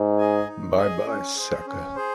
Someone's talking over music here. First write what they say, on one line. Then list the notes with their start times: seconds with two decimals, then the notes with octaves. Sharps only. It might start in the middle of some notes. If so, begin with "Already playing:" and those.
Bye-bye, sucker!
Already playing: G#2
0.18 G#4 D#5 G#5
0.47 D#4
0.77 G#4 D#5 G#5
1.06 C#4
1.36 G#4 C5
1.67 C#4
1.96 G#4 C5